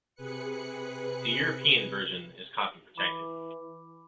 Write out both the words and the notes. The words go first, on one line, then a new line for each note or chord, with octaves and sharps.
The European version is copy protected.
C3 G#4 B4 F#6 C#7
E3 B5 D6